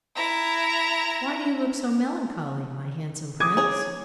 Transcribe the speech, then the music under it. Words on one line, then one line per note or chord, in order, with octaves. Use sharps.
'Why do you look so melancholy, my handsome Prince?'
E4 A#5
D6 D#6 G#6
G#4 C#5